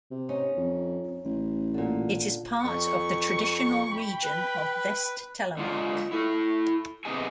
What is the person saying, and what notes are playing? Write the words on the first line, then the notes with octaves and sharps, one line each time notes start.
It is part of the traditional region of Vest-Telemark.
C3
C#4 D#4
F2
A1
A#2 D3
F2 C#6
G5 B5
B4
D3 G#3 F4 F5
E4 A4
C3 B3 D#4 G4 G#4 G#5